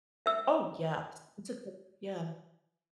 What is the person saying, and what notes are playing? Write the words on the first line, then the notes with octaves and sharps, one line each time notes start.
Oh, yeah. S It's okay. Yeah.
E5 E6